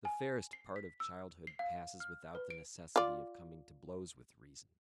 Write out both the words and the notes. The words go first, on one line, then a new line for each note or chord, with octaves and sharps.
The fairest part of childhood passes without the necessity of coming to blows with reason.
G#5
C7
B6
E6
C7
F5
F6
B4
D7
F4 D5